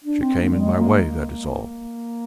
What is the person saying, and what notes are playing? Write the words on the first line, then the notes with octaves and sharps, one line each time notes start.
She came in my way, that is all.
D4
C4
A#3
G3
G#3
A#3